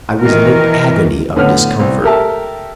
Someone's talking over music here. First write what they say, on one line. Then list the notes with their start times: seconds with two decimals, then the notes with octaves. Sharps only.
'I was in an agony of discomfort.
0.20 D#3 E3 A#4
1.36 A2 D3 B3 C#5 F#5 F6
1.79 C2 C4 D5
2.03 G4 A4 A#4 E5 A5